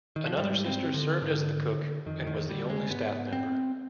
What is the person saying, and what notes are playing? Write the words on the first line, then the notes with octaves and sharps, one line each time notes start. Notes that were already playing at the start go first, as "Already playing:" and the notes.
Another sister served as the cook and was the only staff member.
D#3
F3
G#2 G3
C4
D3
G#2 D3
F2 D#3
D#3
D3 G3
G#3
G#2 B3
C4